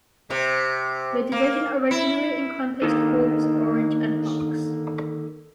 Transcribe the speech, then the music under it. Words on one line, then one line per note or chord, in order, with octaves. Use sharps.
The division originally encompassed Forbes, Orange and Parkes.
C3
A#3
E4
D3 D#3 A#3